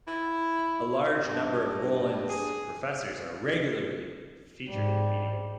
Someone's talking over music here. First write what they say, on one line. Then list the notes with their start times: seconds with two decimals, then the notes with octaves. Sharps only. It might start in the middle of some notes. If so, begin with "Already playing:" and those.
A large number of Rollins professors are regularly featured in the media.
0.07 E4
1.25 G2
2.29 G#4
4.68 G#2 G3